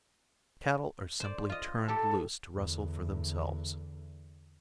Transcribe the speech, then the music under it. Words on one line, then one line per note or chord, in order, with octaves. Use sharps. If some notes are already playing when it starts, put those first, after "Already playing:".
The cattle are simply turned loose to rustle for themselves.
C5 D5
F4 D#5
G4 A4 A5
E2 D3